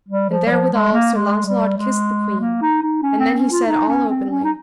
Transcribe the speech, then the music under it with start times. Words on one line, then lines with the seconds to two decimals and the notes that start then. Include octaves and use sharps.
And therewithal Sir Launcelot kissed the queen; and then he said all openly.
0.09 G3
0.30 F3
0.46 G3
0.50 F3
0.72 G#3
0.93 A#3
1.15 G#3
1.46 G3
1.78 G#3
2.40 A#3
2.62 D#4
2.82 D#4
3.03 C#4
3.19 C4
3.36 C#4
3.51 F4
3.66 D#4
3.88 C#4
4.08 C4
4.30 C#4
4.44 D#4